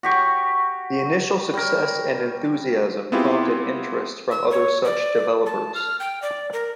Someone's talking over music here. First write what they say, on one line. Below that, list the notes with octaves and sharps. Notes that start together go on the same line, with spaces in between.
The initial success and enthusiasm prompted interest from other such developers.
F#4 G4 C#6
G3 A#4
B3 C4 E4 F4 G4 G#4
E6
C#5
D5
A5
F6
G5
D5
A#4